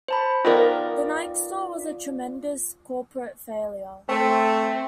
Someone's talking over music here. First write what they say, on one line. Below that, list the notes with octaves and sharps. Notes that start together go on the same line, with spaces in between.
The Nike store was a tremendous corporate failure.
C5 A5 B5
D#3 B3 F4 A#4 D5
A3 C4